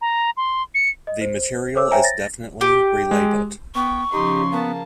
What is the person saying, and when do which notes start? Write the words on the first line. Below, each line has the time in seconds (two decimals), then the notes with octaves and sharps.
The material is definitely related.
0.01 A#5
0.37 C6
0.75 C#7
1.07 D#5
1.21 C5
1.75 A4 C5 C#5 D6 E6
1.91 C5 C#5 E5 G5 G#5 A#5
2.04 A6 A#6
2.61 G4
3.11 G#3
3.75 B3 G5 C#6
4.12 C#3 F3 D#4 G4 C6
4.52 A#3 B3 A5